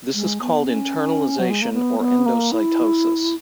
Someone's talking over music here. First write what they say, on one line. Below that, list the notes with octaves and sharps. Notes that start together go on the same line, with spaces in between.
This is called internalization or endocytosis.
G#3
B3
C#4
F#3
G#3
A#3
B3
B3
A#3
E4